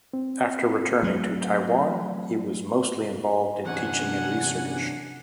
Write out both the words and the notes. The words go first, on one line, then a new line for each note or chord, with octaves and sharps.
After returning to Taiwan, he was mostly involved in teaching and research.
C4
F#3 A3
E2 G2 C3 C#4 D4 F#5 G#5